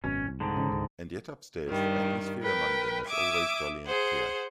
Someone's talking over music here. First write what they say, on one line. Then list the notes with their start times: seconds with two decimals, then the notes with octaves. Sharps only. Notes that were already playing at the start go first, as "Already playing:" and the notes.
And yet upstairs the atmosphere among them was always jolly and clear.
0.04 G#1 F#2 B2 C#4
0.27 C2
0.40 G#2 D3 D#3
0.56 C#3 E3 C#4
0.72 C#2
1.67 G2 D#3 G3
2.42 A#4 B4 G5
3.07 E5 D6 D#6 G#6
3.85 G#4 C5 F#5